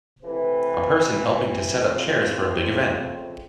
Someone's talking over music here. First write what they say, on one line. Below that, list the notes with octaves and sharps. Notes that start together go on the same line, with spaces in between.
A person helping to set up chairs for a big event.
C3 E3 A3 B4
F2 C#3 F3 A3 C4 C5